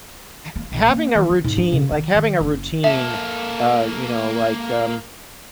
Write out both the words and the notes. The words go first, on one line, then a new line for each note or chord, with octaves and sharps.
h having a routine like, having a routine, uh, you know, like, um,
A#3
A#1
A#3
E3
D#3
G#2
D4
C#3
D#3
D#3
F#1
A#3 A4 E5